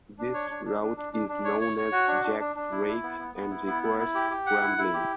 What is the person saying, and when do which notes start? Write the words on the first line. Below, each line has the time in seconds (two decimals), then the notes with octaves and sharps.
This route is known as "Jack's Rake", and requires scrambling.
0.19 D4
0.34 C#5
0.50 D4
0.65 D4
0.82 D4
0.97 D4
1.13 D4
1.29 D4
1.45 C#5
1.61 C#5
1.77 C#5
1.92 F#4
2.08 D4
2.24 D4
2.40 D4
2.56 D4
2.72 E4
2.87 E4
3.03 B3
3.19 B3
3.35 B3
3.50 E4
3.67 B3
3.83 E4
3.99 E4
4.15 G4
4.30 G4
4.46 F#5
4.62 E4
4.78 E4
4.94 G4